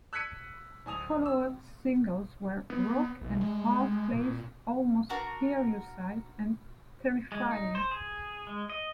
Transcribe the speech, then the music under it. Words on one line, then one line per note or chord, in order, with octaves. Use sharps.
Follow-up singles were "Rock and a Hard Place", "Almost Hear You Sigh" and "Terrifying".
E6 F#6 G#6 B6 C#7 D#7
D1 G#5 D#6 F7
E6
B3
B1
G#3
A#2
D4 F#4 A#4
G#3
D#4
C5
G#4
G#3
D#5